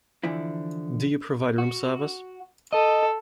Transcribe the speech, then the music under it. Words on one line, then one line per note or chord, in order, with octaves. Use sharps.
Do you provide room service?
D3 E3 F3 E4
F#4
A4 D#5